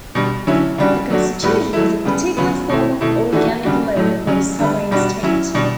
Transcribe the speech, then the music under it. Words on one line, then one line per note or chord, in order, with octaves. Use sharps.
A constitution is a particular form of organic law for a sovereign state.
B2 G3 D4
D3 F#3 C#4 E4
C#3 G3 D4 F#4
F#3 A3 D4 F#4
A2 G3 B3 F#4
F#3 A3 E4
C#3 G3 B3
C#3 F#3 B3
B2 A3 E4
B2 A3 E4
E3 A3 D4 F#4
C#3 G3 D4 F#4
A2 F#3 A3
C#3 F#3 C#4
D3 G3 B3
B2 G3 D4 F#4
F#3 C#4 E4
B2 G3 D4